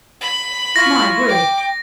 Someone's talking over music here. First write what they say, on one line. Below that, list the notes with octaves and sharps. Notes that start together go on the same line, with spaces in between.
My word!
B5
E4 F4 C#6 A#6
G5 D6